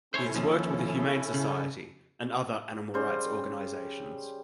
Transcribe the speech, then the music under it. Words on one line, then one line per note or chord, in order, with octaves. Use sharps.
He has worked with The Humane Society and other animal rights organizations.
C#4 E4 A4 C5 C#5
D#2 F3
C#3
C#3 G3 C5 C6